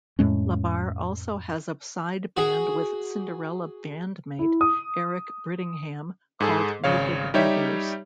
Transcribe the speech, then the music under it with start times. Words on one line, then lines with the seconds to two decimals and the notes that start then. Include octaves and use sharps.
LaBar also has a side band with Cinderella bandmate Eric Brittingham called Naked Beggars.
0.19 F2 A2 G#3 C#4
2.37 F#4 G#4
4.39 E4
4.61 D#6
6.40 G#2 G#4 A4
6.84 G#1 C#3 C#5 F5
7.34 G3 D#4 G4 C#5 E5